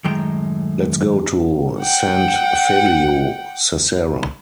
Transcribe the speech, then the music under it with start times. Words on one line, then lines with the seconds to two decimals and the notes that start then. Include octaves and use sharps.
Let's go to Sant Feliu Sasserra.
0.04 F#2 A2 D#3 G#3 G5 A#5
1.81 F#5 G5